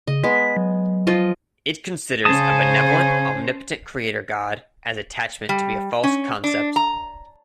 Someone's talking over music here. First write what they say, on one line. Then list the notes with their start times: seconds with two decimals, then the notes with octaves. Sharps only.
It considers a benevolent, omnipotent creator god as attachment to be a false concept.
0.07 C#3 D#5
0.24 G#3 B3 B6
0.57 F#3
1.07 F3 F4 D#5
2.25 C#3 C#4 C5 G#5 A5 D#6
5.49 G3
6.03 C#4
6.44 D4
6.76 A#5